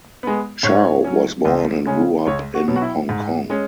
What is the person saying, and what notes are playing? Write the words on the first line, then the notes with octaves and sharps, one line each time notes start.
Chow was born and grew up in Hong Kong.
G#3 B3
G#2 C#5
F#3 C#4
C#2
C#3 G#3 C#4
C#2 C#5
F#4
B2 F#3 B3
F#4
E4
G#2
G#3 C#4